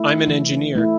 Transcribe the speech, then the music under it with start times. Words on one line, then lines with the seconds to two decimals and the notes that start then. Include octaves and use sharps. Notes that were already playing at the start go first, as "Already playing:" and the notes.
I’m an engineer.
Already playing: A3 E4
0.28 E3
0.75 A3 E4